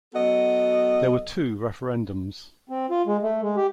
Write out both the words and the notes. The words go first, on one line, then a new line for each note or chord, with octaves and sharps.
There were two referendums.
F#3 B3 F#4 A4 D#5
C4
F4
G#3
A3
G#3
G4